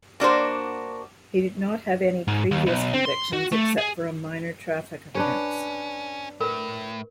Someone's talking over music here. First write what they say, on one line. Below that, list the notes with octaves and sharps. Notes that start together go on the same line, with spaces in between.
He did not have any previous convictions except for a minor traffic offence.
A#3 D4 F#4 C5
G#2
D#2
B1
C4
C6
F#4
A3
G#4
C#4 D4 B4 C#5
A2 A#4 B4